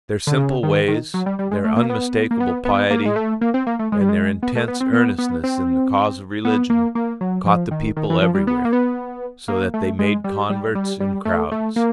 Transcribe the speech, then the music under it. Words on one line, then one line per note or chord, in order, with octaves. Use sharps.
Their simple ways, their unmistakable piety, and their intense earnestness in the cause of religion caught the people everywhere, so that they made converts in crowds.
D3
C#3
D#3
D#3
F#3
G3
G3
G#3
A3
A#3
B3
A#3
B3
B3
A#3
G#3
A3
A#3
C4
A#3
A3
G#3
G3
G#3
B3
A3
B3
C4
B3
B3
C4
B3
A#3
A#3
F#3
F3
D#3
D#3
E3
F3
G3
B3
A#3
B3
A#3
A3
G#3
G3
G3
G3
G3
A3
A3
A#3